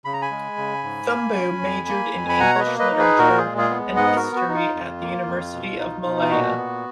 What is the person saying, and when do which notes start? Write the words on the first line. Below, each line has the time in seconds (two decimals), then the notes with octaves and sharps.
Thumboo majored in English literature and history at the University of Malaya.
0.05 C#3 B5
0.13 A#5
0.22 G#5 B5
0.31 G#3
0.57 C#3
0.83 G#2
1.09 A#3
1.36 C#4
1.62 F2
1.88 A#3
2.14 F2
2.29 B5
2.40 B2 F#5 A#5
2.55 C#5
2.59 B4 D#5
2.66 A#3
2.79 B4 D#5
2.92 D#4
2.99 G#4 B4
3.18 A#2 F#4 A#4
3.38 F4 G#4
3.44 G#3
3.57 F4 G#4
3.70 B3
3.96 G#2 D#5 F#5
4.16 F#4 A#4
4.23 B3
4.36 F#4
4.49 D#4
4.55 F4
4.75 F2
5.01 A#3
5.27 F2
5.53 B2
5.79 D#4
6.05 B2
6.21 F4
6.31 A#2 F#4
6.57 B3